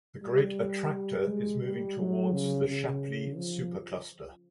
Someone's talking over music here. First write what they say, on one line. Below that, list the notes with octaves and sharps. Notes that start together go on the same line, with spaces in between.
The Great Attractor is moving towards the Shapley Supercluster.
G3
G#3
G3
F#3
C#3
C#3
F3